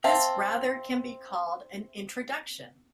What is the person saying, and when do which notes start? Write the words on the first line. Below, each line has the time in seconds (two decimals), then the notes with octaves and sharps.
This rather can be called an introduction.
0.04 C4 E5 F5 A5